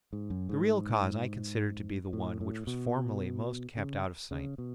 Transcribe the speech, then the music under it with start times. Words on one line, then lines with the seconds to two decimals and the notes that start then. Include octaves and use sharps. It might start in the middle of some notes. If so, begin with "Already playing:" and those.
The real cause I consider to be the one which was formally most kept out of sight.
0.13 G#2
0.30 F#2
0.49 G#2
2.13 A2
2.41 A2
2.67 B2
3.77 C#3
4.31 C#3
4.58 B2